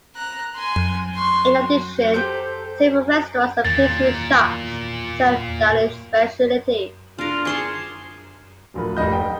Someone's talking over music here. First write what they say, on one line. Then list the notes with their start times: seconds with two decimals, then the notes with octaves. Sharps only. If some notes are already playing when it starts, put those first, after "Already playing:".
In addition, several restaurants and pastry shops serve Danish specialities.
0.16 A#5 F#6
0.56 G#5 C6
1.15 C6 C#6
2.14 G4 A4 C5 G6
3.65 E2 A#2 D#3 F#3 A#3 A6
7.19 D4 F4 A#4
7.45 G#4 A5 C6 C#6
8.74 D1 A#1 A#4 B4
8.97 F1 G#2 G3 D#5 G6
9.12 G5